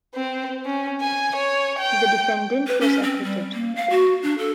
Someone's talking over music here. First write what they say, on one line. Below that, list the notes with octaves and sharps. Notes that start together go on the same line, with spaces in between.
The defendant was acquitted.
C4
C#4
G#5
C#5
G5
B4
C#4
C4
G3
A#3
F5
F#4
D4
A4